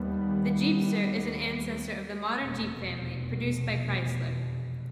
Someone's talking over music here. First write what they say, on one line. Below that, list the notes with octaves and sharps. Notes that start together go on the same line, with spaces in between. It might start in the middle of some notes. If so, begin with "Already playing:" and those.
The Jeepster is an ancestor of the modern Jeep family produced by Chrysler.
Already playing: D#2 D#3 G3 B3
F1 E2 B2